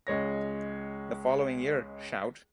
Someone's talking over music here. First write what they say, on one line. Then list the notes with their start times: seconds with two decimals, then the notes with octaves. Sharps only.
The following year, Shout!
0.07 C#2 G#3 C#5 A#6